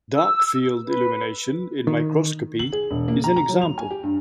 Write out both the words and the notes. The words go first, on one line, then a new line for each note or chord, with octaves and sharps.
Dark-field illumination in microscopy is an example.
E6
B4
D#3
F#7
G#4
E1
A#3
A#5
A#5
F#3
F7
G#5
G4
G2